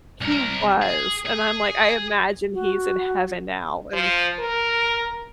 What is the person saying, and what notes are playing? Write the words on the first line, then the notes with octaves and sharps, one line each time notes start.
He was, and, I'm, like I imagine he's in heaven now, and
C2 A#4
G#4
G#4
F#4
F3
A#4